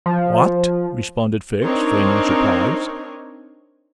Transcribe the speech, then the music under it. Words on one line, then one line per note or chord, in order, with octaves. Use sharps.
"What!" responded Fix, feigning surprise.
F3
C4 D4 D#4 A#4 C#5